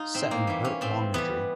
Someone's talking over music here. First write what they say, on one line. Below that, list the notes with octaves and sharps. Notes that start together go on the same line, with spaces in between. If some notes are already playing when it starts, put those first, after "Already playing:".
Seton hurt Longniddry.
Already playing: D#4 F4
A2 C4
A#3
E3 G3
C#4
A2 C4
E3 G3 B3